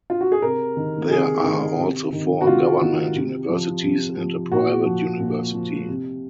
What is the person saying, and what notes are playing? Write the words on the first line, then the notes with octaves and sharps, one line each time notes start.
There are also four government universities and a private university.
F4
F#4
G#4
C3 A#4
D#3
C3 G#4
D#3
C3
D#3
F#4
C3 F4
D#3
C3
F3
C3
F3
A#2 F#4
F3
A#2
F3
C3